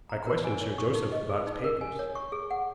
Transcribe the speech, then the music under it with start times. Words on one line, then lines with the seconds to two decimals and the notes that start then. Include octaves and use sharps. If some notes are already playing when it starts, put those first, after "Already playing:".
I questioned Sir Joseph about his papers.
0.09 A#5
0.27 A#4
0.45 G#5
0.61 C#5
0.78 C#6
0.95 D#4
1.12 D#5
1.29 G#4
1.47 D#4
1.64 A#4
1.81 G#5
1.99 C#5
2.15 C#6
2.32 G#4
2.51 F#5